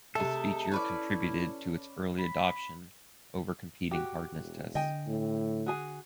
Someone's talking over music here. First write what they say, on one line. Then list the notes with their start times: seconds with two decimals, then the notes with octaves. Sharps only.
This feature contributed to its early adoption over competing hardness tests.
0.15 C3 G#3 A3 A4
0.71 C#4 E4 B4 D5
2.19 B5
3.91 F#4 G4
4.38 E1
4.75 D3 D#5 G5 G#5
5.07 A2
5.66 F#4 G#4 G#5